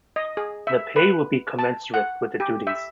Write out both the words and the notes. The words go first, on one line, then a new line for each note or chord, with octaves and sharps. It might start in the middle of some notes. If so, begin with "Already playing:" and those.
The pay will be commensurate with the duties.
D#5
G#4
E5
B4
A5
F#5
G4
E5